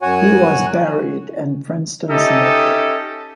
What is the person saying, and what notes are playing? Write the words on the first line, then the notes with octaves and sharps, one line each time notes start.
He was buried in Princeton Cemetery.
F#2 F#4 C#5 F#5 G#5
C#4 D#4 G4 A4 D#5 E5